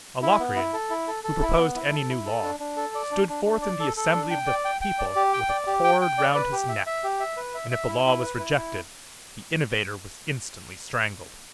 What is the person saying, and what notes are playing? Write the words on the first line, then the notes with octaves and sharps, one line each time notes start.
A Locrian, who proposed any new law, stood forth in the assembly of the people with a cord round his neck, and if the law was rejected, the innovator was instantly strangled.
E4
B3
E4
A4
E4
A4
A4
E4
B3
E4
A4
E4
A4
D4
D4
A4
D5
D4
D4
D4
D5
A4
A4
D4
G5
D5
G5
G5
D5
G4
G5
D5
G4
G5
G5
D5
B4
G4
E5
E5
G4
E5
B4
E5
E5
E4
E4
B4
E4
E4